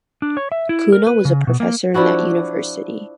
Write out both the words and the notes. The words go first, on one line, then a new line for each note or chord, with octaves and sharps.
Kuno was a professor in that university.
D4
C#5
E5
E4
A#4
B4
C#3
B2
A#3
F3 D4 E4 F#4